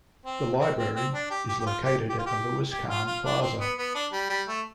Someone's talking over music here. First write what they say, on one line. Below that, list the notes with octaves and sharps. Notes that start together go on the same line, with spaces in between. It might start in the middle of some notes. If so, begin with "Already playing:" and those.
The library is located at the Louis Kahn Plaza.
C4
C4
C4
C4
D4
G4
G4
G4
F4
G4
G4
F4
G4
G4
F4
F4
D4
C4
B3
B3
D4
G3
G3
A3